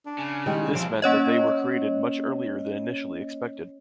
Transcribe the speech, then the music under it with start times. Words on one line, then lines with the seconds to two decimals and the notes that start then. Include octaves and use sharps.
This meant that they were created much earlier than initially expected.
0.05 D4
0.18 C#3
0.46 D#3 G3 G#3
0.62 G3
0.75 F3 C4 E4 F5
1.02 A#3 C#4 C#5 D#5